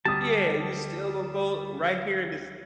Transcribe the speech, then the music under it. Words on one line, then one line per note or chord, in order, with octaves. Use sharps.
Yeah, you still gone go right here in this"
D2 G3 A5 D#6